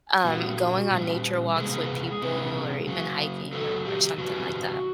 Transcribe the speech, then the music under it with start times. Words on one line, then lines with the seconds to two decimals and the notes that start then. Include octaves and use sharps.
um, going on nature walks with people or even hiking or or something like that.
0.24 A#2 G3 F#4
0.91 A#2 G3
1.56 C3 E3 G#3 G#4
2.22 C3 E3 G#3
2.87 C#3 F#3
3.53 C#3 F#3 A4
3.85 G4
4.18 C#3 E3 G3 F#4